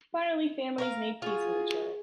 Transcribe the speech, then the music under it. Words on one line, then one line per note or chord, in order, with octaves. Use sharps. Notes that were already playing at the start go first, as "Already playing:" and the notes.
Finally, families made peace with each other.
A#4 C#5 F5
F4 F#4 G#4